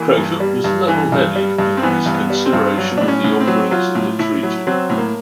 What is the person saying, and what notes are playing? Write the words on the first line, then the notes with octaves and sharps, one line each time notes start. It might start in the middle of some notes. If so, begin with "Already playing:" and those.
Crowfoot was levelheaded in his consideration of the offerings in the treaty.
Already playing: E3 A#3
G2
G3
G2
E3
G2
G3
G2
C4
E3 B3
G2
B3
G3
C4
G2
F#3
A2 D4
C#4
A2
C4
F#3
F#3 F4
A2
A2 E4
F#3
F#3 C4
A2
A#3